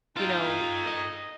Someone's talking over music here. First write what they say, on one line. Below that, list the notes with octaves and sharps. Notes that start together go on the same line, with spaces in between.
you know,
D#4 F4 A4 G5
D#5